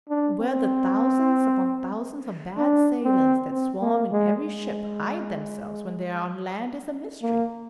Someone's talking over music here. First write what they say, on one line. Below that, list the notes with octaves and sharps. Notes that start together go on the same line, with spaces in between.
Where the thousands upon thousands of bad sailors that swarm in every ship hide themselves when they are on land is a mystery.
D4
C4
D4
C4
C4
A#3
G#3
G#3
A#3